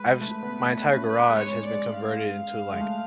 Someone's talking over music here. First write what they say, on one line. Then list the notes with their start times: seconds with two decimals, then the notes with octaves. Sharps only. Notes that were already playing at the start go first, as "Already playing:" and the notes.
I've s my entire garage has been converted into, like
Already playing: G#3 B4
0.21 A3
0.43 B3
0.65 A3
0.86 C#4
1.08 B3 B4
1.30 G#3
1.37 C#5
1.51 G#3
1.65 D5
1.73 G#3
1.94 F5
2.73 G#3
2.81 A3